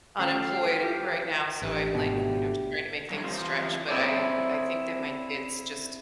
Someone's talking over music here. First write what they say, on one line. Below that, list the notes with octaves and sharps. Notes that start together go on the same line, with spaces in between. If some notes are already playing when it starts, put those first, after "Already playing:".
unemployed right now so, I'm, like, you know, just trying to make things stretch, but I I think that my kids just
D#3 A3 C#4 A4 F5 G5
E4 F4 G4
A1 A3 D4 G4
G#1 B2
F#3 G3 D4 C#5
E3 G3 C4 F4 C5
C4 E4 G#4 A4 C#5 D5